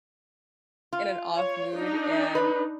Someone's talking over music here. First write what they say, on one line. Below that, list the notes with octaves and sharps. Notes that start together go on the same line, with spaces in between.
in an off-mood, and
F4
C#5
D4 D#4
B4